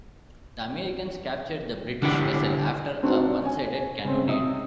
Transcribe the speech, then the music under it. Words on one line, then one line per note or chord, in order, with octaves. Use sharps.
The Americans captured the British vessel after a one-sided cannonade.
D3 D4 E4 G4 C#5 F#5
C4 D4 D#4 F#4 B4
C#5 G#5
C#3 C4
C3 D#5 D#6